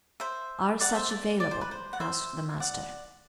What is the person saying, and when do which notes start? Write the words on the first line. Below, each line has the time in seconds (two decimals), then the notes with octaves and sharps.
"Are such available?" asked the Master.
0.20 C5 E5
0.80 D5 F#5
0.95 C5 E5
1.10 D5
1.40 D5
1.51 C5
1.61 B4
1.71 C5
1.93 F#5
2.00 C5 E5
2.60 D5 F#5